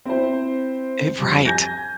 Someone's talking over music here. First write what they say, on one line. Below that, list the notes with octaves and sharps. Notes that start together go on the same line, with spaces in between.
It right.
C4 E4 C5
C2 F2
G#5 G6 G#6 A#6